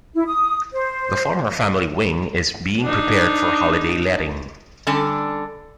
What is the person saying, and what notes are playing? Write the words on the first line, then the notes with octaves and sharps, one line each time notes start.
The former family wing is being prepared for holiday letting.
E4
D#6
C5
D4 D#4
D3 G3 C#4 D4 A4 G#5